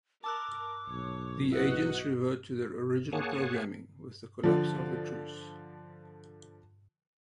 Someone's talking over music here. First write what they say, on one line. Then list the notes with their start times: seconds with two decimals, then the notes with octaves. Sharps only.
The Agents revert to their original programming with the collapse of the Truce.
0.24 A#4 A5 D6 E6 F#6
0.89 B1 C#5
1.52 E4 F#4 B4 D#5 F#5
3.13 A#3 G#4 C#5 F#5 G#5 A5
4.43 D3 F3